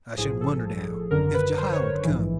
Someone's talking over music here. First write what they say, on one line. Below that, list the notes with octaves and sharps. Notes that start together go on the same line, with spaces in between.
I shouldn't wonder, now, if Jehiel would come.
A#1 A2 F3 G#4
A4
G#1 F#2 D3 A#4
B4
C5
C#5
A#1 G#2 E3